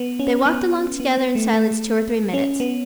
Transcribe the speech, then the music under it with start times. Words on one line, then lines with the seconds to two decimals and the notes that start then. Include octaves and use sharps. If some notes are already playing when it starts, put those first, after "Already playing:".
They walked along together in silence two or three minutes.
Already playing: B3
0.19 C#4
0.46 B3
1.00 B3
1.17 B3
1.35 A3
1.54 A3
2.34 C#4
2.60 B3